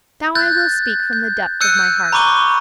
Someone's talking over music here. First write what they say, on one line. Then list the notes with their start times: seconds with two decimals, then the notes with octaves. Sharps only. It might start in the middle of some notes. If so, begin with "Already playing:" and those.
But now I will speak from the depth of my heart.
0.35 F#6 G6 A6
1.13 G6
1.61 E6 F#6 G6 C#7 D#7
2.13 A#5 B5 C#6 D6 D#7 G7